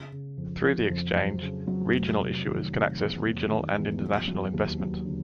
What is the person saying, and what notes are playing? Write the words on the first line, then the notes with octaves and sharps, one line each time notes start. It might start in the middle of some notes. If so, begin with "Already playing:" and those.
Through the exchange, regional issuers can access regional and international investment.
Already playing: C#3
C#3
F2
F2
F2
F#3
C#3
F#3
F1
C3
D#3
C3
E2
F1
D#3
E2
F#3
F#3
D#2
F#3
D3